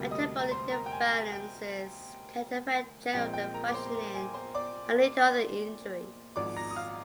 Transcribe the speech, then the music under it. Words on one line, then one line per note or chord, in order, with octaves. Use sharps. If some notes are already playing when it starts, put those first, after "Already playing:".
Metabolic imbalances can affect general functioning and lead to other injuries.
Already playing: D2 C3 G3 A#3
D#5 D#6
A#5
C5 C6
A#4 A#5
G5
G#5
G#5
G5
A#1 A#2 G#3 C4 G5
G5
A#4 A#5
D6
C5 C6
C6
A#4 A#5
G#5
C5 C6
D5 D6
G#1 G#2 F3 D5 D6
A#5 A#6
D#6
F5 F6